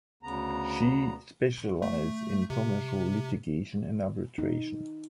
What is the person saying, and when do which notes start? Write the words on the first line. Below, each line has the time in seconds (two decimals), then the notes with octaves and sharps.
She specialize in commercial litigation and arbitration.
0.23 D2 C#3 B3 A#5
1.82 A3
2.50 C3
4.38 D#4